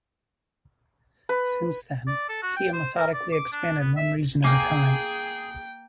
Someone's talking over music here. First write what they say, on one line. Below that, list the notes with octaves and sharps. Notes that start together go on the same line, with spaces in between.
Since then, Kia methodically expanded one region at a time.
B4
D5
A4
F#4
G5
C5
A#4
D5
D6
D4
B3
E5
A#3 G#4 G5 G#5